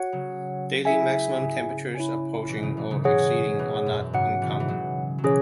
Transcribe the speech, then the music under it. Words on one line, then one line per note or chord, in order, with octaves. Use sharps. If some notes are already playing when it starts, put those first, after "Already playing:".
Daily maximum temperatures approaching or exceeding are not uncommon.
Already playing: F#4 C#5 F#5
C#3 F#3
E4 G#4 E5 G#5
G#2 C#3
E4 C#5 G#5
B2 E3
C#3 F#3
B2 E3
G#2 C#3
B2 E3 G#4 C#5 F#5
B2 E3
F#2 B2
G#2 C#3 F#4 C#5 F#5
B2 E3
E3
C#3 F#3
F#3
B2 E3 C#4 G#4 C#5